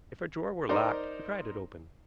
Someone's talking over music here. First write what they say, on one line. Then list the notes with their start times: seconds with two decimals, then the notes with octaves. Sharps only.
If a drawer were locked, he pried it open.
0.69 D#4 A#4 C5 D5 A#5 C6